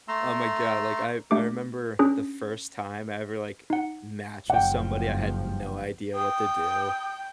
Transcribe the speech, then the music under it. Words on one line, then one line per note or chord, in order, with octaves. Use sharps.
Oh my god, like, I I remember the first time I ever, like, matched with somebody, I had no idea what to do.
A3 A#5 C6 E6
A3 D4 G4 D6
C#4 D4 G#4
D#4 F#5
F#1 F3 F#5 G5
G5 D#6